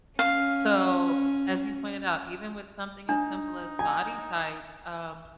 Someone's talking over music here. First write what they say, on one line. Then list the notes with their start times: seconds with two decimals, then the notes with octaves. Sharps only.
So, as you pointed out, even with something as simple as body types, um,
0.19 C#4 F5
3.09 D4 D#4
3.79 G#5